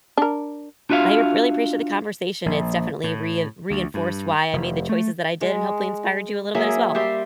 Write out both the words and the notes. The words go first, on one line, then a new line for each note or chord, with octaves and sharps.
I really appreciate the conversation. It's definitely rein reinforced why I made the choices that I did and hopefully inspired you a little bit as well.
D4 A#4
D4 F4 F#4 E5 F5
A#1
A2
D2
G2
F1
A3
G#3
F#3 A#3 G#4 E5
G3 G4 E5 C6